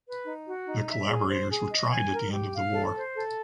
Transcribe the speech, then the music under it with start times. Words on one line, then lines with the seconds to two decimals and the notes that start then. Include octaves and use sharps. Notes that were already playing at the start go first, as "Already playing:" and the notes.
The collaborators were tried at the end of the war.
0.05 B4
0.25 D#4
0.46 F#4
0.67 D#4
0.88 E5
1.08 G#4
1.29 C5
1.50 G#4
1.70 D#5
1.91 G#5
2.12 A#4
2.32 G4
2.53 F5
2.74 A4
2.95 C5
3.15 A4